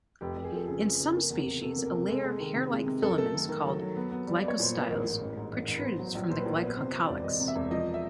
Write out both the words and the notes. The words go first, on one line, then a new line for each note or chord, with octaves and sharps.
In some species, a layer of hair-like filaments called glycostyles protrudes from the glycocalyx.
F1 G4
F1
G#4
F3 A4
C#3 G#4
F3
C#3
A#3
E2
C3
C3 A4
A#3
A#4
C3
G#3 A4
G#3
D#3
C3
G#3
C3
F#2 A4
A#4
A3 A4
D#3
D#3
F#3
F#3
B3
B3
G3
D5
B3
C#5
A#2 C5
B3 B4
A1 A#4
G#2
A1
G#2
A1
A1
B4
B3 C5
F#3
C5
A#1
A#2 C5
B4
A#2 A#4
B4
B3
B4
C3 C5
C3
E1 D5
E1 D#5
C3
E5
E1
F3 D#5
E5